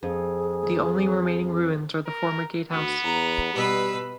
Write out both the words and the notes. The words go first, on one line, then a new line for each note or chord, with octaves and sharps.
The only remaining ruins are the former gatehouse.
F2 G#4
A#4
D2 B3
E2 A#5
B2 G3 B4 E6